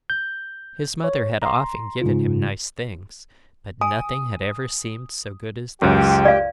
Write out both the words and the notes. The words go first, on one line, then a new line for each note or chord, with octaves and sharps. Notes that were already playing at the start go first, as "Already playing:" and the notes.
His mother had often given him nice things, but nothing had ever seemed so good as this.
G6
C#5
A#5 C6
G#2 C#3 F4
G#5 D#6
C#2 F#2 G4 G5
D5 F5